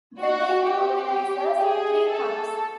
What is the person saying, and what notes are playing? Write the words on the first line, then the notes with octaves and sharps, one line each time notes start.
The League organises three cups.
F#4
G4
G#4
A4